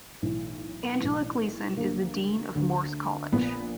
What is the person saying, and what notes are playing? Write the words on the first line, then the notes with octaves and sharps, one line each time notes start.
Angela Gleason is the Dean of Morse College.
B1 A2 E3
B1 A2 E3
D2 D3 A#3
D2 D3
A#1 A#2 B3